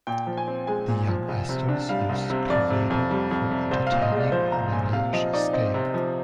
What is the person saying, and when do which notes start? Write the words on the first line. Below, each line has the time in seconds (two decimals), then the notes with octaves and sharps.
The young Astors used Cliveden for entertaining on a lavish scale.
0.07 A#2 G5
0.27 F3
0.37 G#5
0.48 C4
0.67 G#3 G#5
0.88 A#2
1.08 F3
1.29 C2
1.49 C3
1.69 D4
1.89 G3 F5
2.09 C2
2.30 C3
2.50 F2 D5
2.70 C3
2.90 F2
3.11 G3
3.31 F2
3.51 C3
3.71 C2 C5
3.87 F5
3.92 A#2
4.02 D#5
4.12 G#3
4.17 D5
4.32 F3 C5
4.52 C2 A#5
4.73 A#2 G#5
4.93 C3 F5
5.13 F3 D#5
5.33 D#4 D5
5.53 C4 D#5
5.74 C3
5.94 F3